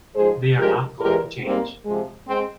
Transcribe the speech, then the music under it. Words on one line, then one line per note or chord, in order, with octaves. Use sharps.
They are not going to change.
G#2 F3 G#3 G#4 C5
G2 F3 G#3 G4 A#4
E2 E3 G#3 G4 A#4
G#2 G3 A#3 C4
C3 F3 G#3
G#3 C4